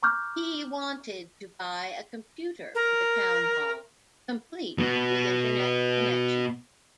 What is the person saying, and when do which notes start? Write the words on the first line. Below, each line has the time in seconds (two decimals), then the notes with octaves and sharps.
He wanted to buy a computer for the town hall, complete with internet connection.
0.03 A#5 C#6 D6 F6 G6
2.75 A#4
4.78 B2 B3